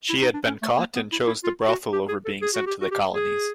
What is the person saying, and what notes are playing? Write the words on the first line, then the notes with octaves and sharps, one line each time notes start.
She had been caught and chose the brothel over being sent to the Colonies.
E4
D#4
D4
C#4
A3
A#3
B3
E4
E4
F4
F#4
G4
G#4
A4
G#4
F#4
G4
F#4
G4
G#4